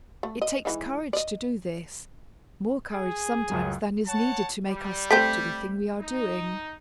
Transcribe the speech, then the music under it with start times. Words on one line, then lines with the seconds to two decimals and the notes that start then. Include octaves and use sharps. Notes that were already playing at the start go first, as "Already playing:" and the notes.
It takes courage to do this--more courage sometimes than is needed to make us stick to the thing we are doing.
0.23 A3
0.42 D#5
0.65 E3 G#3 D#4
1.13 D5 D#5
2.93 G#4
3.50 C#2 F#2 F#3
4.07 C#5 F#5 A5
4.65 G3
5.11 A3 C4 G6 B6
6.00 D#4